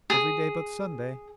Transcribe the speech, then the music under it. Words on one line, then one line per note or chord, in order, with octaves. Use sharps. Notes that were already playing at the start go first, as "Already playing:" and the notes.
"Every day but Sunday."
G#4